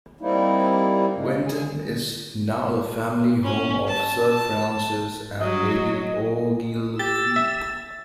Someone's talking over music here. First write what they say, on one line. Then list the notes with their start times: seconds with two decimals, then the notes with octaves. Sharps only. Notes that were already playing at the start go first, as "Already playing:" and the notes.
Winton is now the family home of Sir Francis and Lady Ogilvy.
0.21 G3 A#3 C4 D#4 E4
1.15 C#3 G#3
1.47 G#4 G#5
3.44 C#4
3.87 A5
4.29 A5
5.41 F#3 D#5
6.99 G4 E6 A6
7.36 E5